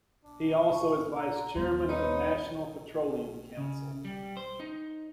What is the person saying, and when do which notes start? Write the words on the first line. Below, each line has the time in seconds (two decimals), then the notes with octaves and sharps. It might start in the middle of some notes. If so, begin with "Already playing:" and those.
He also is vice chairman of the National Petroleum Council.
0.24 D4
0.72 C#6
1.16 A#5
1.56 D#2 G3 B3 C5
1.89 D#4 B4 C#5 B5
3.57 C#3
4.05 G3
4.37 C5
4.60 D#4